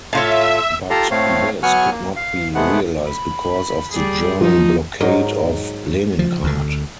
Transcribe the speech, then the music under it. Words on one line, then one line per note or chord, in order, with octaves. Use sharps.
But this could not be realized because of the German blockade of Leningrad.
A2 F4 C#5 E5
F4 G4 A4 A#5 C6
A2 A3 C4 C#5 F5
F#3 B3 F#5 G#5 C#6 F6
A#3
F5
C3 G#3 A3 B3 F#5
B5
G3 G#4
F3 D#4
G#2 F#3 A#4 D#5
F3
D2 D3